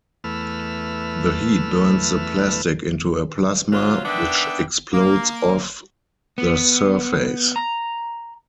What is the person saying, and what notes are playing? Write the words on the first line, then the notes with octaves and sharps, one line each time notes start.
The heat burns the plastic into a plasma, which explodes off the surface.
E2 A3 B4 E6 F6
C3 F#3 F4
D#3 B3 D4 E5 G5
A#3
B3
A#5